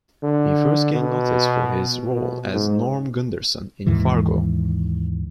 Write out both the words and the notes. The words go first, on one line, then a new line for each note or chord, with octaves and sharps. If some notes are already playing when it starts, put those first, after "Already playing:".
He first gained notice for his role as Norm Gunderson in "Fargo".
D3
B2
B2
G#2
D#2 G#2 D#3 E3